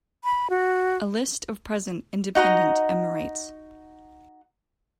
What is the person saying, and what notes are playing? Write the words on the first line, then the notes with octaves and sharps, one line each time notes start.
A list of present independent Emirates.
B5
F#4
D#4 F#4 D#5 A#5